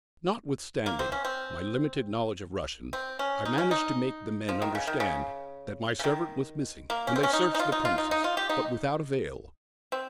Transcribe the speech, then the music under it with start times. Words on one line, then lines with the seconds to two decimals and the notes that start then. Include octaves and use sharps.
Notwithstanding my limited knowledge of Russian, I managed to make the men understand that my servant was missing, and they searched the premises, but without avail.
0.86 A#3
0.99 C4
1.12 C#4
1.25 C4
2.93 C4
3.19 C#4
3.45 D#4
3.58 C#4
3.71 D#4
4.49 F3
4.62 D#3
4.75 C#3
4.87 D#3
5.00 C#3
5.99 C#3
6.04 D#3
6.90 A#3
7.07 C#4
7.16 C4
7.23 C#4
7.33 D#4
7.55 D#4
7.59 F4
7.72 D#4
7.85 F4
7.98 D#4
8.11 D#4
8.24 F4
8.37 G4
8.49 D#4
9.92 C4